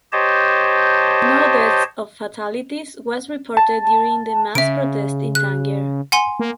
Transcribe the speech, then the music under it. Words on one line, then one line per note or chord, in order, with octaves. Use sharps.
No deaths of fatalities was reported during the mass protests in Tangier.
G4 C5 C#5 D#5 A5
A5
C#3 E5 D7
F#6
F#5 G#5 C6
A#3